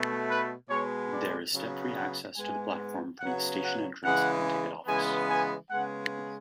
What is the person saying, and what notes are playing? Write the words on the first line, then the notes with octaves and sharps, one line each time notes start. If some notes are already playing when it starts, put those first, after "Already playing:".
There is step-free access to the platform from the station entrance and ticket office.
Already playing: B2 A3
B4
B2 G#3 B3 C#5
D5
C#3 F#3 B3
F#5
G#2 G#3 B3 G#5
C#3 F#3 B3 F#5
F#5
C#3 E3 G#3 F#5
C#3 E3 G#3 B3 G#5
G#5
C#3 G#3 B3 F#5